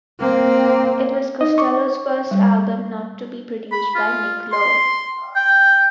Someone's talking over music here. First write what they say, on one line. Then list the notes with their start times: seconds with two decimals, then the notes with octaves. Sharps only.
It was Costello's first album not to be produced by Nick Lowe.
0.20 A#3 C4
1.41 D#4 D#5
1.58 C#6 D6
2.31 G3
3.71 B5
3.95 F4
4.52 C6
5.36 G5